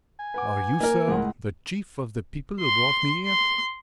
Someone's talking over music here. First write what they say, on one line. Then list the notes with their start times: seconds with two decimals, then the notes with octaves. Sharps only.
"Are you, sir, the chief of the people who brought me here?"
0.19 G#5
0.34 B4 F#5 D6
0.81 A#3 A#4
1.08 C#2 A2 F#5
2.61 C6
3.25 C6